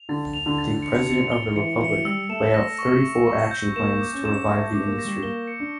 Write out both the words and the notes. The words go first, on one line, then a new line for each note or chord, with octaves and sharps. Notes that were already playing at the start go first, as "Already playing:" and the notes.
The President of the Republic lay out thirty-four action plans to revive the industry.
Already playing: F7
D3 A6
F7
D3
A6
C#7
C#7
G7
E3 C#7
E3 C#7
G3 E6
A3 E7
A#6
C#6
C#6
C#6
G6
A#3 E7
D6
C#4
E7
A3 A#6
A3
D6
A#3
A#6
G3
A#3 G7
C#7
D4